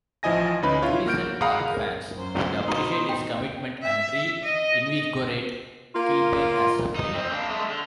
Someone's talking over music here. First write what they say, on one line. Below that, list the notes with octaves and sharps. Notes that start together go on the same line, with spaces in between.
The Goodison Park fans would appreciate his commitment and re-invigorate Kilbane as a player.
A1 F3 E4 D#5 G#5 A#6
D2 C#4 D#4 B4 B5
E4 F4 C#5
A#3 F#4 F6 G6 D7
G#4 F5 F#5 A#5 B5 D#6
A#4
F#2 C5
B2 D#4
G5
E5
D#5
A#3 F4
D#4
C4 D#4
A#3 D4
G#3 A3
D3